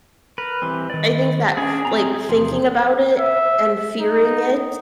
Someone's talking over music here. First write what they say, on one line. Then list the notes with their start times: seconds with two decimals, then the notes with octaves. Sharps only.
I think that, f like, thinking about it, and fearing it,
0.38 A#4 B4
0.62 E3 G3 C4
0.90 D#3 D5
1.57 C#4 D4 G#4
1.85 C4 A#5
2.29 E2 C3 F3
3.19 E5
3.99 D#4